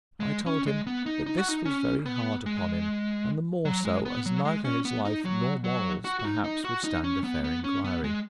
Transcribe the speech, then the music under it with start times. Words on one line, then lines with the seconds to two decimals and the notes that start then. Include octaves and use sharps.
I told him, that this was very hard upon him; and the more so, as neither his life nor morals perhaps would stand a fair inquiry.
0.20 G#3
0.46 C#4
0.66 G#3
0.87 B3
1.06 D#4
1.26 D#4
1.38 F#4
1.49 D#4
1.65 C#4
2.06 B3
2.46 G#3
3.65 F#3
3.85 G#3
4.05 B3
4.26 F#3
4.45 G#3
4.65 C#4
4.85 B3
5.05 D#4
5.25 F#3
5.64 F#3
6.05 F#4
6.19 F#4
6.25 D#4
6.44 D#4
6.65 F#4
6.84 D#4
7.04 C#4
7.24 B3
7.44 B3
7.64 C#4
7.84 B3
8.04 G#3